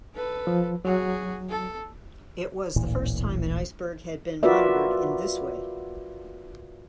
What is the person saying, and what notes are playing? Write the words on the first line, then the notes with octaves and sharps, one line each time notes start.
It was the first time an iceberg had been monitored in this way.
A4 B4
F3
F#3 F#4 G#4
A4
D1 A1 A#2 E3
F4 F#4 A#4 B4 D5 E5